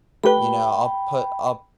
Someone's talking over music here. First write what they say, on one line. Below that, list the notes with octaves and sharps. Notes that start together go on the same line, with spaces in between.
you know, I'll put I'll
A3 G4 B4 G5 B5